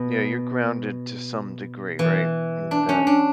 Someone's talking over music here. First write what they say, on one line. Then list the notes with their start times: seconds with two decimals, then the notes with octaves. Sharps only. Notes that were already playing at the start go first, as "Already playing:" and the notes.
Yeah, you're grounded to some degree, right, with that.
Already playing: B2
1.99 E3
2.71 D4
2.89 C#4
3.07 D4